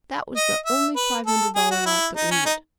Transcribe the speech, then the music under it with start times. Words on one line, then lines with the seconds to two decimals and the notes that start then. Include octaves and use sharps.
That was the only five-hundred-dollar lot that went.
0.36 D#5
0.66 E5
0.96 B4
1.26 A4
1.56 G#4
1.71 F#4
1.86 E4
2.16 D#4
2.31 C#4
2.46 D#4